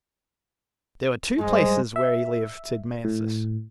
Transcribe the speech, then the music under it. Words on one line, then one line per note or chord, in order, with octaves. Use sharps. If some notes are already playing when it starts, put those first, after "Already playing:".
"There were two places where he lived," said Mansus.
G2 F3 G#3
E5
A2